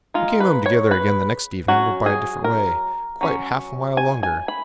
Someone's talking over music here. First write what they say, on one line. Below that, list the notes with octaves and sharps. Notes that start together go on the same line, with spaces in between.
We came home together again the next evening, but by a different way, quite half a mile longer.
G#3 D#4 F4
B4
C#5
B4
F#3 C#4 F#4
G#4
A#4
F#3 C#4
G#5
G#5
B5